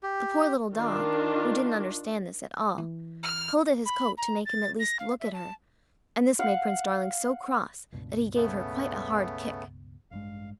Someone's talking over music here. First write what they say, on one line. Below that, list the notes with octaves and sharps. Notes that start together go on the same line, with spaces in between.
The poor little dog, who didn't understand this at all, pulled at his coat to make him at least look at her, and this made Prince Darling so cross that he gave her quite a hard kick.
G4
D#3 D4 F4
E3
F6
B5
A#5
A6
A#6
F5
E5
A5
F5 F#5
C#2 G2 B2
C#3 A3 B3
A1 G2 G#3 F5